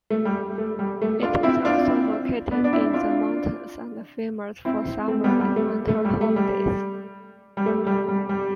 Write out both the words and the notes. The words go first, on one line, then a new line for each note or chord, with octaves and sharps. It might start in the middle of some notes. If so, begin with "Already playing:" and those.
It is also located in the mountains and famous for summer and winter holidays.
A3
G3
A3
G3
A3
D4 F4
C4 E4
D4 F4
C4 E4
B3 D4
D4
C4 E4
D4 F4
C4 E4
A3 C4
G3 B3
G3
A3
A3
G3
A3
G3
G3
A3
G3
G3
G3